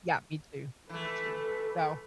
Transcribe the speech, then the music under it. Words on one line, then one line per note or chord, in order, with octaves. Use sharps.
yeah, me too, me too. So,
E3 A3 A4 B4